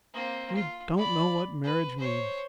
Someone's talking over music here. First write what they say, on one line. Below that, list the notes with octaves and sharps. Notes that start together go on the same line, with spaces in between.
"You don't know what marriage means!"
A#3 C4
F4
D5 B5
B4
C5 C#5